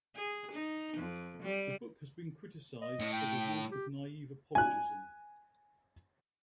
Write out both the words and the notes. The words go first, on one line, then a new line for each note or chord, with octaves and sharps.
The book has been criticized as a work of naive apologism.
G#4
D#4
F2
G3
D#5
A2
G5
G4
G#5 F#6